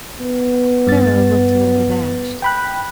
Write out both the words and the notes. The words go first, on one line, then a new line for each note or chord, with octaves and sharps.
Pharaoh looked a little abashed.
B3
G2 A6
G5 B5 F#6